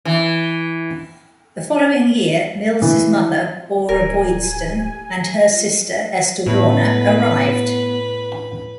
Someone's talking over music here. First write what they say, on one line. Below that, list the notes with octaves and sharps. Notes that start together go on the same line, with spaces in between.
The following year Mills' mother, Orra Boydston, and her sister, Esther Warner arrived.
E3
E3
D1 A#4 G#5
A2 B3 B4